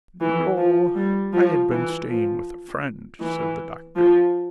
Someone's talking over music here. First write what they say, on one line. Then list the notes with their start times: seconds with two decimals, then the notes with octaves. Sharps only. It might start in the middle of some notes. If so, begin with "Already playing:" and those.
"No, I had been staying with a friend," said the doctor.
0.21 E3
0.58 F3
0.95 G3
1.33 F3
1.71 E3
2.08 F3
3.20 E3
3.96 F3